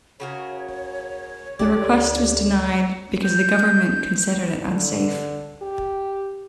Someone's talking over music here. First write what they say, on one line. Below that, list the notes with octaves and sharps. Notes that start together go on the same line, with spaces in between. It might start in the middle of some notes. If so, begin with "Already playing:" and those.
The request was denied because the government considered it unsafe.
C#3 F#4 A#4 C#5
D2 G4 A4 D5
G6
D3
G4